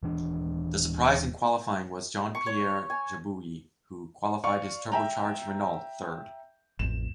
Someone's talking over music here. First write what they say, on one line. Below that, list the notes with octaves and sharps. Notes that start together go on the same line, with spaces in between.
The surprise in qualifying was Jean-Pierre Jabouille who qualified his turbocharged Renault third.
D#1 E3 D4
C#6
C#5
G#5
D5 F5 C#6
E5 G5 A#5
A1 F2 E7